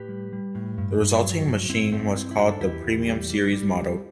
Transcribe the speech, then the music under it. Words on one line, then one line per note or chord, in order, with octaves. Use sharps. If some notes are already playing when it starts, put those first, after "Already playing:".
The resulting machine was called the "Premium Series" model.
Already playing: A2 G4 B4
G3
G3
A2
G2
G2
F#3
G2
G2 C4 E4
G2 A3 C4
G2 C4 E4
E4
G2 D4 F#4
A4
E2 E4 G4
E2
G3
G3
G3
E2